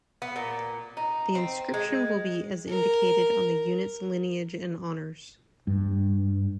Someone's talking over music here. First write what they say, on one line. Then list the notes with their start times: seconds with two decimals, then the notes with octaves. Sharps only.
The inscription will be as indicated on the unit's lineage and honors.
0.22 B3
0.36 A#2
0.97 D#4
1.35 C4
1.74 G#3
2.69 A#4
5.67 G2